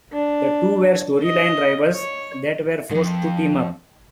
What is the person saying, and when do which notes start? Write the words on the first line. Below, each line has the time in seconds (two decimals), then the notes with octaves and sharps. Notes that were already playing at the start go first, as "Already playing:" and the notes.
The two were storyline rivals that were forced to team up.
0.13 D4
1.22 D#5
1.93 C#5
2.91 F2 G#2